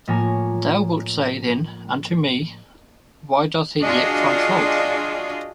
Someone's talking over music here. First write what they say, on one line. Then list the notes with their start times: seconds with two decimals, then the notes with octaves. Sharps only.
Thou wilt say then unto me, Why doth He yet find fault?
0.07 A2 F3 A#3 C#5 G#5 A#5
3.81 D4 F4 F#4 G#4 D#5